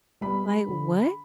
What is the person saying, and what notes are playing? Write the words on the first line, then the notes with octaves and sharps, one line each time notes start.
like, what?"
G3 B3 B5
D3